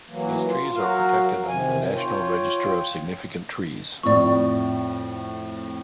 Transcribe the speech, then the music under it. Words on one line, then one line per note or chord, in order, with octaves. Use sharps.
These trees are protected under the National Register of Significant Trees.
E3 F#3 A#3
F4
F#3 F#4 A#4 F5
C3 D#3 G#5
F4 C#5 G5
F2 A2 F3 D5 C#6